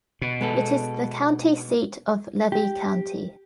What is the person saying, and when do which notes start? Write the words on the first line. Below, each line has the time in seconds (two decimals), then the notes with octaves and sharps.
It is the county seat of Levy County.
0.22 B2
0.41 G#3 B3 A4
2.52 G4